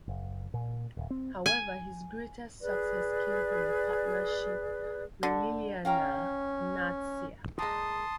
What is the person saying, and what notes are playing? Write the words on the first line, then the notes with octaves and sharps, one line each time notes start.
However, his greatest success came from a partnership with Lilyana Natsir.
F#1
A#2
D#1
C4
G#5
G#4 B4 D5
D3
C#4 F5 G5 A#5
A#2 G#3 A5 C6 D#6